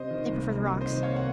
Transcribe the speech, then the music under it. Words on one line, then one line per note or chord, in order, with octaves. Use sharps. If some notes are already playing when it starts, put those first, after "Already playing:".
They prefer the rocks.
Already playing: C3 C5 D#5
D#3
C2
A#3
C3
D#3
C5 D#5
C2
C#5 F5
A#3
F#5